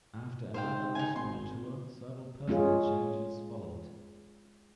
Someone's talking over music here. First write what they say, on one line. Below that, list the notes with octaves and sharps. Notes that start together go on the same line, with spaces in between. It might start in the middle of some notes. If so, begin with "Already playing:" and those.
After another national tour, several personnel changes followed.
G#2 C5 F5 G5
D#4 G#5
G#1 C6
G#3 C#4 F4 G#4